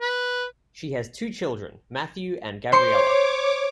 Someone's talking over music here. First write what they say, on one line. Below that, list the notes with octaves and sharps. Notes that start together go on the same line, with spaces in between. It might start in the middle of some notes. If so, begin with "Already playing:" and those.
She has two children, Matthew and Gabriella.
B4
C5 C#5 C6 D6 C#7